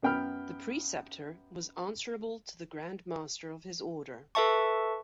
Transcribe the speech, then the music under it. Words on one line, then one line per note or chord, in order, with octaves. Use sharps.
The Preceptor was answerable to the Grand Master of his order.
F#2 B3 G5 B5 F6
A4 B4 E5 A5 C#6